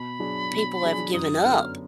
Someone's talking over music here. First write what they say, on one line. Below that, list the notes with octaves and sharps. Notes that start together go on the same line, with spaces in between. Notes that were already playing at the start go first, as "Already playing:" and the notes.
people have given up,
Already playing: B2 B5
F#3 D4 G#4
B2
F#3 D4 G#4
F#2 D#6
D3 F#3 B3 F6